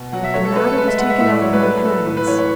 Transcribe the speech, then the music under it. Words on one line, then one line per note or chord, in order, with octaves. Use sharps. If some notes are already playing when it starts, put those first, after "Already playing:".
But the matter was taken out of my hands.
Already playing: B2
F#3 F#5
E5
A3 C#5
A4
A3 B4
A4
G#3 B4
E5
G#3 F#5
E5
A2 E5
D5
F#3 C#5
B4
A3 B4
A3 A4
A2 B4
B4
E3 C#5
C#5